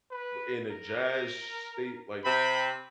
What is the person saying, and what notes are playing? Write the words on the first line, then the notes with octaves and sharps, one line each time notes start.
in a jazz state? Like,
B4
A#4
C3 C4 B5